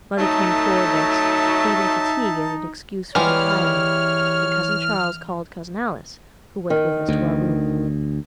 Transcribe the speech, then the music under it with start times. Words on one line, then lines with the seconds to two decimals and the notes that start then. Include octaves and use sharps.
Mother came toward us, pleading fatigue as an excuse for retiring, and Cousin Charles called Cousin Alice, who went with us to our room.
0.18 F#3 A3 D#4 E5 A5
3.15 E3 G3 G#3 B3 C#5 F6
6.70 D#3
7.09 D2